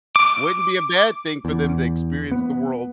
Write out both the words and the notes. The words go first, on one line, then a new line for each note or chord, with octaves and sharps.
wouldn't be a bad thing for them to experience the world
D6
E2
B3